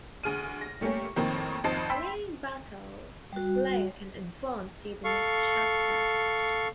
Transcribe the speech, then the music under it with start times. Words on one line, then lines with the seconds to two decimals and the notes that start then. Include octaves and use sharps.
By clearing battles, the player can advance to the next chapter.
0.24 D2 G#4 F6 D#7
0.61 A#6
0.81 G3 A3 A#3 C#4 G4
1.16 F2 A2 D#3 A#3 C4
1.64 G#1 F2 D#4 C5 A5 C7
1.90 G5 B5 C6 E6 B6
3.33 G3 F#4
5.04 A4 F5 C#6